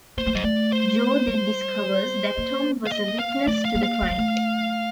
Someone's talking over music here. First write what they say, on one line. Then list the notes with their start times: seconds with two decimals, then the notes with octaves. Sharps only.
Joe then discovers that Tom was a witness to the crime.
0.17 A#3 C5
0.26 A3
0.34 G3 D#5
0.43 A3 D5
0.73 C5
1.27 G3
2.37 A#3
2.87 F5
2.92 D#5
3.19 F5
3.46 A3 D5
3.65 F5
3.74 A#3
3.83 F5
4.02 A3
4.10 G3
4.18 A3